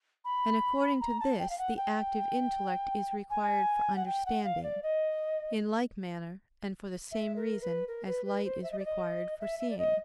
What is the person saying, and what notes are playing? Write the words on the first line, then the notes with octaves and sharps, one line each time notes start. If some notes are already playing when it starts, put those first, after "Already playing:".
And according to this the active intellect is required for understanding, in like manner and for the same reason as light is required for seeing.
B5
A#5
A5
G5
F5
F#5
G5
G#5
F#5
G5
F#5
F5
D5
D#5
E5
A#4
B4
A#4
B4
B4
C5
E5
D#5
D5
D#5
E5
E5
D5
D#5